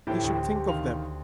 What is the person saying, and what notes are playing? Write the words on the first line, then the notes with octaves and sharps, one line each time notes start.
He should think of them.
A2 E3 A3 G4 C5 C#5
D2
G4
D#3 F5 F7